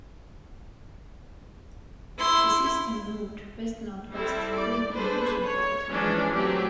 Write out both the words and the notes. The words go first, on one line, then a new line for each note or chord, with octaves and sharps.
The system moved west-northwest, threatening Luzon for a time.
E4 C6
G3 C4 E4 A4
D5
D4 G#4 A4 B4 C5
C#5
E3 F3 G#3 C#4 D4
F#3 A3 C4 G4